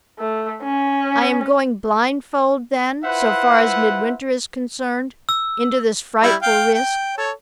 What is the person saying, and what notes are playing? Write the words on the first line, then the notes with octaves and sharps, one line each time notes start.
I am going blindfold, then--so far as Midwinter is concerned--into this frightful risk?
A3
C#4
E4 F4 B4 C5 E5 F#5
E6
G3 E4
F5 G5
G5
A4 C#5